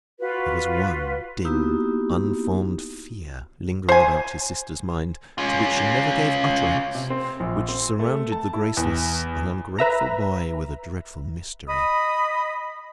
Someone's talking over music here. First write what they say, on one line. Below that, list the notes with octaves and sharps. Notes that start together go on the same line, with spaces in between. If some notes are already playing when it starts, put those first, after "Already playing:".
There was one dim unformed fear lingering about his sister’s mind, to which she never gave utterance, which surrounded the graceless and ungrateful boy with a dreadful mystery.
F4 F#4 B4
A#3 B3 D#4 E4 F#4 G4
C5 G#5
C#4 F4
C3
C4
A#1
C4
A3
A5
E4
E2
B4 E5 A#5
D#5 B5 D#6